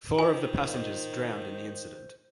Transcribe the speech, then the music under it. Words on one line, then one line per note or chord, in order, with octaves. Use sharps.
Four of the passengers drowned in the incident.
D#3 F4 C5 D#5 G#5